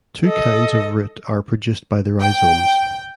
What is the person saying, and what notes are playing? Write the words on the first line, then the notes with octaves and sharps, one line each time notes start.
Two kinds of root are produced by the rhizomes.
A4 D#5
G5